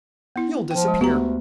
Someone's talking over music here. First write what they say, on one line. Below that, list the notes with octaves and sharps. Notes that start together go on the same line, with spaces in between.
You'll disappear.
B3 E4
F3 G5
G#3
D2 B3 F#4 G4 A#5